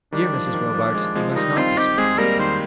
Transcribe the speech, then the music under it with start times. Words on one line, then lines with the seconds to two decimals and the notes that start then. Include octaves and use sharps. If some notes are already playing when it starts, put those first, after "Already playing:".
Dear Mrs. Robarts, you must not be surprised at him.
0.12 D#3 G3 D4
0.34 F3
0.46 F3
0.53 D#3
0.74 F3
0.95 F3 G#3
1.15 F3 G#3
1.31 F3
1.36 D#3 G3 D#4
1.56 C4 D#4 F4
1.77 C4 D#4 G4
1.98 G#3 C4 G#4
2.18 G3 A#3 A#4
2.39 D#3 C5